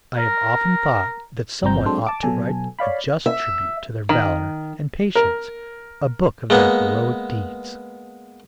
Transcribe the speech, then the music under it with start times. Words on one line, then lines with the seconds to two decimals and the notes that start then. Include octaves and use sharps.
I have often thought that some one ought to write a just tribute to their valor and patience, a book of their heroic deeds.
0.18 A#4
1.63 G1 C3 F3 C4 A#5 G6
1.86 F#3 G#3 C4 D4 A4 C5
2.07 A5 D6
2.23 B2 F#3 A4 G#5
2.79 C#5 D5 F5 B5
3.26 E5
4.09 D#3
5.15 A#4
6.50 G#3 A#3 B3